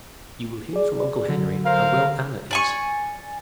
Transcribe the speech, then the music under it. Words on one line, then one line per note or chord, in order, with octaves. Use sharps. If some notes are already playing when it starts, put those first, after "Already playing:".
'You will hear from uncle Henry how well Anna is.
G#4 D5
D3 F#3
A#4 C5 F5
D5 G#5 C#6